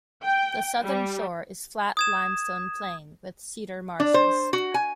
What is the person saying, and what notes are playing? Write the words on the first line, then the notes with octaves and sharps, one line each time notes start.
The southern shore is flat limestone plain, with cedar marshes.
G5
G3
D#6 G#6 E7
D4
C5
F#4
G#5